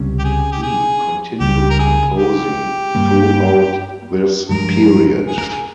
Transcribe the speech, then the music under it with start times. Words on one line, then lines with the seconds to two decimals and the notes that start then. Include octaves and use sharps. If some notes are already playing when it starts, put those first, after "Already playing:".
He continued composing throughout this period.
Already playing: C#2 C3 G3 C#4
0.19 G4
0.24 G#4
0.52 G4
0.63 G#4
1.40 C#2 C#3 G3 G4
1.70 A#4
1.79 G#4
2.18 G4
2.95 G2 G3 A#3 C#4
4.49 G2 F3 G#3 A#4
5.27 G#4
5.38 A#4
5.49 G#4